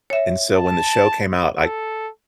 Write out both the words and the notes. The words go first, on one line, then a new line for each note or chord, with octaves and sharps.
and, so when the show came out, I
C#5 E5
A5
A4